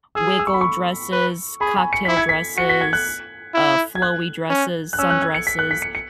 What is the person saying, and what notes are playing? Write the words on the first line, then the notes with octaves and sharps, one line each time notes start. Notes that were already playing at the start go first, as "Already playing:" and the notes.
wiggle dresses, cocktail dresses, uh, flowy dresses, sundresses.
G#4 E6
E6
C#6
B5
C#6
B4
G#4 B5
G#5
C#7
E4 B6
G#6
B6
F#4 C#7
B6
G#6
F#6
E4
G#6
F#6
C#4
F#6
C#4 E6
F#6
G#6
C#7
B6
F#6
B6
C#7
C#7